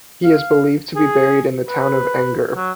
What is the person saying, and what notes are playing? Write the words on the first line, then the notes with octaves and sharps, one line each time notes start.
He is believed to be buried in the town of Enger.
F5
G#4
B4
F#3